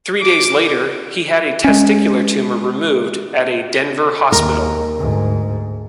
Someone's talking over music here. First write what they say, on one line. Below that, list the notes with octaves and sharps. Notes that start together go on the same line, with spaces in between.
Three days later, he had a testicular tumor removed at a Denver hospital.
D6
G#3 C#4
D#2 A#4
D2 G#2